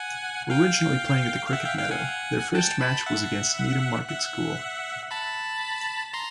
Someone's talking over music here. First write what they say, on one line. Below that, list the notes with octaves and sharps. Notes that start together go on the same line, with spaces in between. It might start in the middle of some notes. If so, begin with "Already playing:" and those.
Originally playing at the Cricket Meadow, their first match was against Needham Market School.
Already playing: F#5 G#5
F5 G5
F5
E5 F#5
F5 G5
F5 G5
F#5 G#5
G5 A5
A5 B5
E5 F#5
E5 F#5
A5 B5
A#5 C6